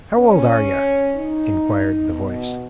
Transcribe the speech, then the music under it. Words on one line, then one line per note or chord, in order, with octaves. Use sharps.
'How old are yer?' inquired the voice.
C#4
D#4
B2